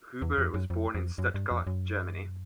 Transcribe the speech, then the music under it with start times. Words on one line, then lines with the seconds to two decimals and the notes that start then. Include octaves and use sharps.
Huber was born in Stuttgart, Germany.
0.22 E2
0.38 F2
0.54 F#2
0.70 F2
0.95 F2
1.18 F#2
1.34 G2
1.51 F2
1.67 F#2